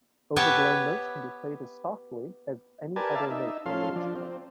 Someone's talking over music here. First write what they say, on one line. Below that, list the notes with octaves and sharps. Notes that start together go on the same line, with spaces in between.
Overblown notes can be played as softly as any other note on the instrument.
B3 G4 B4 C#5 E5 A5
G4 A#4 B4 D5 G#5 A5
D5 E5 F5 A5
D#4 E5
F3 C#4 A4 F5 C6
F3 D4
C4